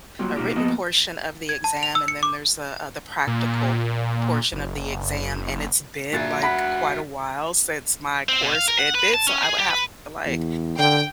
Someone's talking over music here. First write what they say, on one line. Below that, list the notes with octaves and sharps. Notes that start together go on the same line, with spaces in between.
a written portion of the exam, and then there's a, uh, the practical portion of the exam, and it's been, like, quite a while since my course ended, so I would have to, like
F#3 G3 A#3 F4 G4
B2 A#3 C#4 D#4 F4 G4
F3 A#3 B3 G4 D#5 A5
G#6
A5
F7
E6
C#7
D6
A#2
F#1
A#1 F#4 E5 A6 C7
F#5 B5 B6
C4
B2
F5
A#4
F#5
B4
A5
C#4
G#4
G4
B4
E2
D3 G5